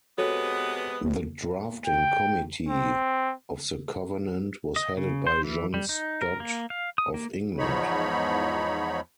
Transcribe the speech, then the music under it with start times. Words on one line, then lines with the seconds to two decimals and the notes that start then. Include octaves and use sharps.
The drafting committee of the covenant was headed by John Stott of England.
0.18 C3 G#3 B3 F#4 A4 C#5
1.86 G5
2.69 C4
4.76 D#5
4.97 C#3
5.27 C5
5.44 E3
5.74 G3
5.89 D#4
6.22 A#4
6.40 A#3
6.70 F5
6.98 D#6
7.14 A#3
7.58 E2 G#2 F3 D#4 C#5 B5